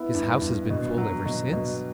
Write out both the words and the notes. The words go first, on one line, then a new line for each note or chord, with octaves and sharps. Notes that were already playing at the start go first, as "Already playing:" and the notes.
His house has been full ever since.
Already playing: B3 E4
G2
G2
B2
F#3
B2
B2